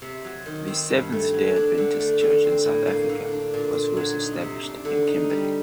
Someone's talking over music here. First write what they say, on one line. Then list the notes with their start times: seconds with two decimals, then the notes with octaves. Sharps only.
The Seventh-day Adventist Church in South Africa was first established in Kimberley.
0.02 C3
0.24 F#3
0.46 D#3
0.68 C4
0.90 G2
1.12 A3
1.34 F#3
1.56 D4
1.78 D3
2.00 A3
2.21 D3
2.44 C4
2.65 A2
2.87 A#3
3.09 D3
3.32 D4
3.54 A#2
3.75 D4
3.97 F#3
4.20 D#4
4.41 C3
4.63 D4
4.85 D3
5.07 D#4
5.30 G3